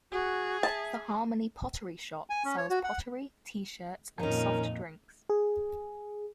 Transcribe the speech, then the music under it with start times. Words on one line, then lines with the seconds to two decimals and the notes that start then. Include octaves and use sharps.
The Harmony Pottery Shop sells pottery, T-shirts, and soft drinks.
0.12 F#4 G#4
0.63 E5 A5
2.30 G#5
2.44 C#4
2.58 C#5
2.70 F#4
2.84 F#5
4.19 F2 A#2 D#3 C#4 D#4 A#4
5.29 G#4